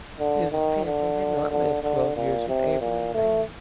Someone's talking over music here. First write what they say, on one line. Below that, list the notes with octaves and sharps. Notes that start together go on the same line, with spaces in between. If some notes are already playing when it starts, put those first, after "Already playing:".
Mrs. Pantin had not lived twelve years with Abram in vain.
D3
D#3
D3
D3
D3
A#2
C3
A#2
A3